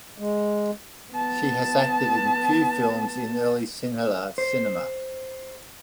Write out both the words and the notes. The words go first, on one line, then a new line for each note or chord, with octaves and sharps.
She has acted in few films in early Sinhala cinema.
G#3
B3 A5
C5